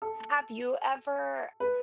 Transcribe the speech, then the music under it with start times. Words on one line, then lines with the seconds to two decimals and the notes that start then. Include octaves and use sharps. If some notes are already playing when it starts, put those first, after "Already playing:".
Have you ever
0.02 A4
1.60 B4